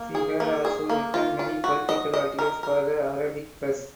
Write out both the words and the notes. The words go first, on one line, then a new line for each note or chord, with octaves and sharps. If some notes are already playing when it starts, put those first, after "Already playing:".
She had also written many political articles for the Arabic press.
Already playing: A#3
G#4
A#3
G#4
A#3
F4
F4
F#4
D#5
D#5
A#4
A#4